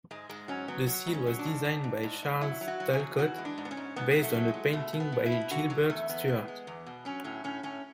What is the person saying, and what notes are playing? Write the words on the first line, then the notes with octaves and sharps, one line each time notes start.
The seal was designed by Charles Talcott, based on a painting by Gilbert Stuart.
G#2 G#3
G#2 G#3
F#3 C#4
F#3 B3
F#3
G#2
C#4
F#3
D4
G#2
G#2
G#2
G#2
G#2
F#3 E4
F#3
F#4
F#3
G#4
E2
E3 F#4
G#3
D4
G#2
B3
C#4
G#2
G#2 B3
B3
F#3
A3
F#3
G#3
F#3
B2 A3
B2
B3
B2
E4
B2
D3 F#4
F#3
E2 A3
E2 B3
G#3
G#3
E2
B2
F#3 C#4
A2 C#4
A2 C#4
A2 C#4